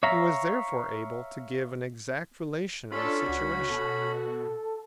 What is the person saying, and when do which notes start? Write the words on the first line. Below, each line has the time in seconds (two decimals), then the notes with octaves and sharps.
He was therefore able to give an exact relation of the situation.
0.03 C#5 E5 F5 A#5
2.92 C#4 D4 F4 A4 B5
3.28 C#2 F#4
3.70 B2 A4